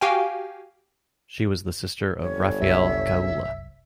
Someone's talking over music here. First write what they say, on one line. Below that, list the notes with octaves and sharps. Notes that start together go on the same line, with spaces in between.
She was the sister of Raphael Kaulla.
F#4 G4 F5 G5 G#5
G1 C#5
F1 C2 F#2 E5